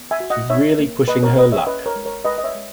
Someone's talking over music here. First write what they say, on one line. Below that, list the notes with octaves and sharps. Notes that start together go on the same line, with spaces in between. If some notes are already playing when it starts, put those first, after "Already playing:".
She's really pushing her luck!
Already playing: B3
E5 G#5
F#4
D#5 F#5
D#4 C#5 E5
A#3
A#3 B4 D#5
A#4 C#5
A#3 B4 D#5
C#5 E5
C#4 B4 D#5
A#4 C#5
G#3
A#4 C#5
G#3 B4 D#5
D#5
C#5 E5
G#3